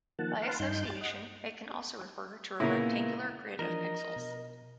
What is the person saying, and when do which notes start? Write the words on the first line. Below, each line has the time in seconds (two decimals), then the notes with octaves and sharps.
By association, it can also refer to a rectangular grid of pixels.
0.19 D#3 F3 A#3 F#5 A5
0.42 B4 F5 F#5 A5 C6
0.60 G2 D#4 C6 G6
0.85 A6
1.01 D#5 F#5
2.60 A#2 C#3 A#3 B3 E4 A#4
3.59 E3 F3 D4 A#4 D#5
4.16 B2